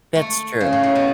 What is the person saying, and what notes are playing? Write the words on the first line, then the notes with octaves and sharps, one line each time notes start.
That's true.
A3
C#3
A2
A2
B2